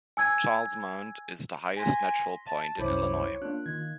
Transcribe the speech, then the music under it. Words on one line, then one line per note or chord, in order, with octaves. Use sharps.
Charles Mound is the highest natural point in Illinois.
G#5 E6 G#6
G#5 C6 A#6 B6
A5
C2 F#2 E4 C5 C#5 B5 D6
A#3 D4 F4 F#6
D#3 G#6